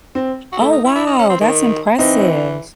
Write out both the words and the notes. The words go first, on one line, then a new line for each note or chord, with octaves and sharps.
Oh, wow, that's impressive.
C4
F#4
A3 E4
D#4
E4
E4
D#4
C#4
C4
D#3
E3 C4 D#4